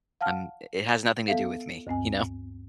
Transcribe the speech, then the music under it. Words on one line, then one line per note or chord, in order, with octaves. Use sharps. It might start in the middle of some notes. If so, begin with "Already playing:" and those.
I'm i it has nothing to do with me, you know?
F5 F#5 A5 F6
B3 A4 E5 F5
D2 G2 C4 G#5